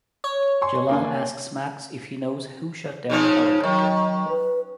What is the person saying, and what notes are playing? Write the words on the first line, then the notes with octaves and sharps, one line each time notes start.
Jalal asks Max if he knows who shot down the helicopter.
C#5
G#5 C6 C#6
A#3 D4 G#5
C#3 F3 C#4 D#4
D#3 F#3
B4